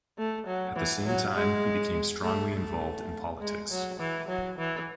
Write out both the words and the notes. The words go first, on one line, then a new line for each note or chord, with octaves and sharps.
At the same time, he became strongly involved in politics.
A3
F#3
E3
F#3
G#3
A3
A3
G#3
F#3
E3
F#3
E3